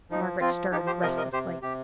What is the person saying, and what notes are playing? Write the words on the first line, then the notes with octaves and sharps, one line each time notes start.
Margaret stirred restlessly.
F3 D#4
F3 C4 F4
F3 D#4 G4
G4 C5
C3 A#4 D#5
A#4 D#5
C3 G4 C5
C3 G4